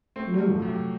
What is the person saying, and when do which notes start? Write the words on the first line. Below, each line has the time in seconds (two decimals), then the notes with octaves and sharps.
"No one."
0.16 A3 C4
0.33 F#3
0.38 A3
0.50 F3
0.62 F#3
0.68 C3